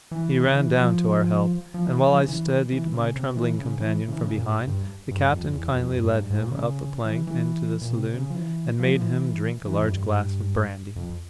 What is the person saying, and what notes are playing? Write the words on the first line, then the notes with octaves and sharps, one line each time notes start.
He ran down to our help, and while I steadied my trembling companion from behind, the captain kindly led him up the plank into the saloon, and made him drink a large glass of brandy.
E3
C#3
E3
F3
F3
E3
F3
C#3
E3
E3
C#3
C3
E3
C#3
E3
C#3
E3
C#3
A#2
G#2
G2
G2
F2
E2
F2
G2
G#2
G2
G#2
A#2
C#3
E3
E3
A#2
C3
C#3
F3
E3
F3
F3
E3
E3
F2
G2
F2